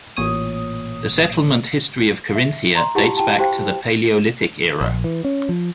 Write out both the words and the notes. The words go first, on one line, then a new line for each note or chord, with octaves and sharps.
The settlement history of Carinthia dates back to the Paleolithic era.
A1 A#2 C#5 D#6
E5
A#5 C6
E4 F4 G4 F#5 A5
G5 A5
F#4 G4 C5 F5 G5
A#1
E3
C#4
F3